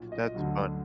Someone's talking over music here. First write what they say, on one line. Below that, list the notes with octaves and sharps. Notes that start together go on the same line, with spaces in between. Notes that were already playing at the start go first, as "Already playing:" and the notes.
That's fun,
Already playing: B1 A#2 F3
D#5
D2 D3 F#3